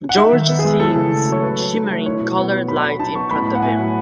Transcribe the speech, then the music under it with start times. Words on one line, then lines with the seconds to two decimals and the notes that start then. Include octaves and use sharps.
George sees shimmering colored light in front of him.
0.09 F#5
0.17 D#4 E5
0.33 D#3
0.49 B3
0.59 G#4
0.64 G#3
0.80 E4 A4
0.95 C#3
1.12 A3
1.27 F#3
1.32 C#5
1.42 F#3 B4
1.59 F#3
1.74 D#4
1.90 A3
2.06 E4 C#5
2.21 B2
2.37 B3
2.52 F#3
2.68 F#3 B5
2.84 F#3 B5
2.99 D#4 A5
3.15 B3 C#6
3.31 A2 B5
3.47 A2
3.55 F#5
3.62 A3 G#5
3.79 F#3